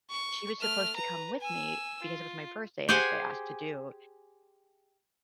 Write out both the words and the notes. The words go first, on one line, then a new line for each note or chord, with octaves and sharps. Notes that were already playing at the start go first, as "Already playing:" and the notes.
she was supposed to come with me because it was my birthday and that's what I asked to do.
C#6
A3 F6
B4 A#5
G#5 E6
F4
G4 G#4 C5 F#5 G#5